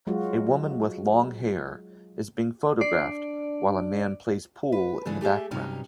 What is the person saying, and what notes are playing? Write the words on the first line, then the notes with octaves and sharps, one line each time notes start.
A woman with long hair is being photographed while a man plays pool in the background.
F#3 G#3 F4 F#4
D4 D5 C7
B4
C#3 E3 A3 D4 A4
A3 G4 G#4 E5
G2 C3 F#3 C#4 D#4